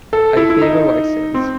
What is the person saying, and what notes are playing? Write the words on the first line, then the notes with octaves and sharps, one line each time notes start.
I favor white sails.
A4
E4
E4
D#4
C4